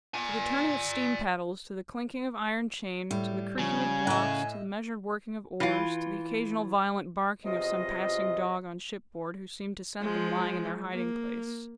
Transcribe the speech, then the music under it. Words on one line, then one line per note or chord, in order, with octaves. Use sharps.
To the turning of steam-paddles, to the clinking of iron chain, to the creaking of blocks, to the measured working of oars, to the occasional violent barking of some passing dog on shipboard, who seemed to scent them lying in their hiding-place.
D5 G#5
A2 G3
C#3 F3 G#5
A2 D#5 E5 F6 F#6
E3 F4
E2 C3 F4 D#5
F3 G#3
A#3